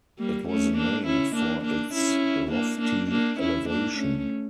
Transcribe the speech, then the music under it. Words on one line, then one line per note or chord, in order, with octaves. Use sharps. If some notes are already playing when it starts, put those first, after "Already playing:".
It was named for its lofty elevation.
G3 A#3
A3 C#4
A#3 D4
C#4 E4
A#3 D4
A#3 D4
C#4 E4
A#3 D4
A#3 D4
A#3 D4
C#4 E4
A#3 D4
A3 C#4